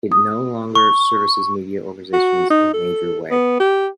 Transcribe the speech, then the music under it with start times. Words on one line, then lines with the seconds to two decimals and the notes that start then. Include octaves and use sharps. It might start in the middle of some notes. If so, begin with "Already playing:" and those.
It no longer services media organizations in a major way.
0.12 D#6
0.75 C#6
2.13 F#4
2.50 D#4
2.74 A4
3.31 B3
3.60 G4